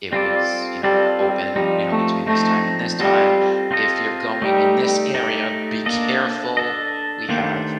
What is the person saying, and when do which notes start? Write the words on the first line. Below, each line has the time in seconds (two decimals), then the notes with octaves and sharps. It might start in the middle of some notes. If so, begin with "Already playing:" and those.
it was, you know, "We're open, you know, between this time and this time, if you're going in this area, be careful, we have
0.12 G3 C4 F4 A4 D5
0.84 G3 C4 F4 A4 D5
1.20 G3
1.55 F3 G3 C4 D#4
1.92 A3
2.26 F3 A3 C4 D#4
2.99 G3 C4 F4 A4 D#5
3.71 C4 F4 A4 D#5
4.42 G3 A3 D#4 G4
5.14 A3 D#4 G4
5.86 A#3 D4 A4 D#5
6.57 D4 A4 D#5
7.29 D#3 A3 A#3 D4 G4 C5